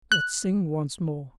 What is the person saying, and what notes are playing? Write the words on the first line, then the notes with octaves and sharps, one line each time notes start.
Let's sing once more!
F#6